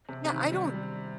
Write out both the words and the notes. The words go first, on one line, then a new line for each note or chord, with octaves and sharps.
Yeah. I don't
C3
C3
D#3
G3
G3